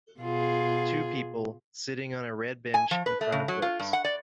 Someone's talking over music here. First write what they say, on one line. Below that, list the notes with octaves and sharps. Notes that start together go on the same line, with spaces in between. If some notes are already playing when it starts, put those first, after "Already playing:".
Two people sitting on a red bench in front of books.
B2 F4 G#4
G#5
F3
B4
A3
C#3
F#3
F4
G2
F#5
D5